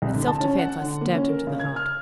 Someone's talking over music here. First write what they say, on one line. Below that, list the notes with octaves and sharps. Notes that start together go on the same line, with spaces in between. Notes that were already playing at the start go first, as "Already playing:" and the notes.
In self-defence I stabbed him to the heart.
C2
D3
A5
C#4
F#5
D3
A#3
C#4
A#4
C#3
G#6
F6